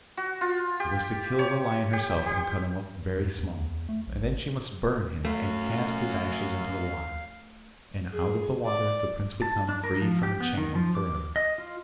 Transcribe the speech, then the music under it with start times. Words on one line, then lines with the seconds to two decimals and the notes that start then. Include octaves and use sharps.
She was to kill the lion herself and cut him up very small; then she must burn him, and cast his ashes into the water, and out of the water the prince would come free from enchantment for ever.
0.17 F#4
0.41 F4
0.80 G4
1.39 C#5
1.93 G4
2.26 G4
3.15 F2
3.39 E2
3.89 A3
4.07 B1
4.21 G#1
5.25 F#2 A3 F5
8.13 G#4
8.65 D5
9.42 A5
9.69 D4
9.84 A#4
10.02 F3
10.23 G4
10.40 B3
10.57 D#3
10.75 F3
10.95 D6
11.36 D#5
11.58 F4